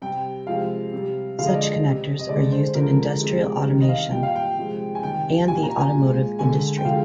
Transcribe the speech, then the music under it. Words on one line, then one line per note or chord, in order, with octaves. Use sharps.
Such connectors are used in industrial automation and the automotive industry.
C3 G3 G5
C3 F3 G#3 F5
C3 G3
D3 F3 G#3 F5
D#5
D5
D#5
C3 G3
D#5
D3 G#3 D5
C5
D3 F3 G#3 A#4
C3 F3 G#3
C3 D#3 G3
D#5
F5
A#2 G3 G5
F5
G5
C3 F3 G#3
G#5
C3 D#3 G3 G5
A#2 G3 G#5
A#5
G#5
A#2 G#3
D3 G#3 G#5
G5
D3 F3 G#3 F5